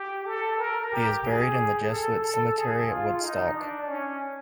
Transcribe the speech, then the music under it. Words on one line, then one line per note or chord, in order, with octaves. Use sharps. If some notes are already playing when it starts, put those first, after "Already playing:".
He is buried in the Jesuit cemetery at Woodstock.
Already playing: G4
A4
A#4
G4
G#4
A4
A4
G#4
F4
D#4
D4
C#4